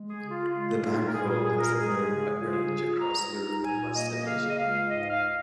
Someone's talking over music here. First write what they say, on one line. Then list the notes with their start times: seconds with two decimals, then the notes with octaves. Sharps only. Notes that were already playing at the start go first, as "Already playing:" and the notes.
The bank vole has a very wide range across Europe and western Asia.
Already playing: G#3
0.08 G#4
0.18 C#3
0.29 F4
0.50 G#3 F4
0.82 D#4
1.06 A#4
1.12 A#2 G#4
1.28 G#4
1.44 A#2 G#4
1.59 A#4
1.75 G#3 G#4
2.06 C#3
2.38 F4 G#4
2.70 F4
3.01 C#2 A#5
3.32 D#4
3.63 A#2 G#5
3.94 A#3 D#5
4.25 C#3 F5
4.49 D#5
4.57 C#2 F5
4.88 G#2 D#5
5.10 F5